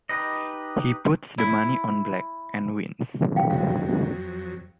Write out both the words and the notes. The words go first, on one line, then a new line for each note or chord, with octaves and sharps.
He puts the money on black, and wins.
D#4 G4 B4 D#5
E4
F5 G5
F2 F#3 F5